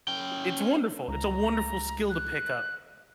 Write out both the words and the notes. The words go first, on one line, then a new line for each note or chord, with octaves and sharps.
It's wonderful. It's a wonderful skill to pick up,
C#4 G5
C#2 A#5
F#6